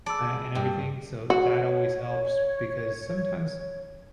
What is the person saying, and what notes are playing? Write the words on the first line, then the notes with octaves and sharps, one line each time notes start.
uh, and everything so, that always helps because sometimes,
G#4 D5 A5 B5 E6
G2 G3 A#3 G4
F#4 C#5